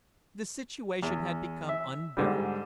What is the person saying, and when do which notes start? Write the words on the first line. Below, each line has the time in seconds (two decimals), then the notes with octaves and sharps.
The situation had become unbearable.
1.02 E2
1.69 E5
2.17 G#2 D3 G3